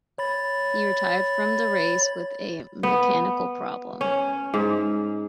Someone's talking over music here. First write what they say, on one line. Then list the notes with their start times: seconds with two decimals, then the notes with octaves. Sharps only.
He retired from the race with a mechanical problem.
0.18 C#5 B5 A6
2.83 B3
4.01 C#4
4.54 G#2